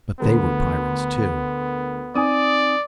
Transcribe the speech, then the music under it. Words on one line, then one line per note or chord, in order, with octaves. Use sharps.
But they were Pyrrans, too.
D2 B3 A#4
C4 D#4 D5 G#5 D#6